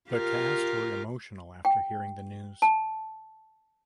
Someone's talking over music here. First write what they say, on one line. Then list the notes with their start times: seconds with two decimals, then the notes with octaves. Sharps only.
The cast were emotional after hearing the news.
0.10 F4 G4 A#4
1.65 G5
2.62 A5